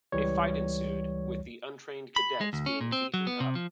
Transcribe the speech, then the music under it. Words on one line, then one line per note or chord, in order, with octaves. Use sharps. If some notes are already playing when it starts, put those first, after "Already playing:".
A fight ensued, with the untrained cadets being beaten up.
C#2 E3 G3 C#5
B5
G#3
D2
C#4
A#2
C4
F#3
B3
C3
F3